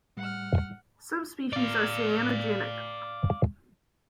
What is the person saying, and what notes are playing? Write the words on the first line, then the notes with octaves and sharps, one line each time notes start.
Some species are cyanogenic.
A2 G3 F#5 F6
D5 F5